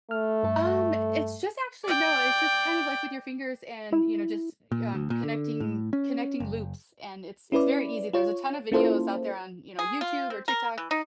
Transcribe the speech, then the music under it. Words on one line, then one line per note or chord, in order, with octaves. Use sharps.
Um, it's just actually No, it's just kind of, like, with your fingers and, you know, just you um, connecting connecting loops, and it's it's very easy, there's a ton of videos out there on, you know, YouTube or TikTok,
A3 F6
G2 A4
D5 G5
E4
A#2
D2
A#2
D3
A2
C#4
F#1
C#4 E4 B4 D5
F4 C#5
A#3 C#4 E4 F4 A4 C5
G#4
F4
C4
A#4
E3
D#4